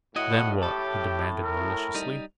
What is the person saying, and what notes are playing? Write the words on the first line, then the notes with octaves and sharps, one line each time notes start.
"Then what?" he demanded maliciously.
A2 E4 F#4 D#5 F#5
G4 A4
A#4
G3 D#4